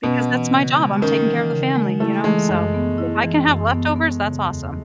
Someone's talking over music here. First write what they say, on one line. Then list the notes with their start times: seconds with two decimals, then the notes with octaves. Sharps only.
because that's my job. I'm taking care of the family, you know, so if I can have leftovers, that's awesome.
0.03 B2 C#4
0.28 E3
0.53 C#3
0.77 G#3
1.02 D#3 C#4
1.27 E3
1.51 C#3
1.76 G#3
2.00 A3 E4
2.24 E3 G#3
2.49 F#2 G#3
2.74 B3
2.98 E4
3.23 E3
3.47 F#2
3.72 B3
3.96 B3
4.21 C#3
4.46 E2